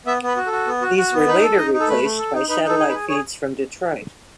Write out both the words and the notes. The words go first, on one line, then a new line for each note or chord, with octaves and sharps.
These were later replaced by satellite feeds from Detroit.
B3 E5
B3
B4
F#4
A4
F#4
B3
F#4
F#4
B3
D#4 B4
A4
D#4 D#5
D#4
A4
A3 B4
A3
A4
D#4
D#4 B4
D#4
A4
G#4
B4
G#4
G#4 C#5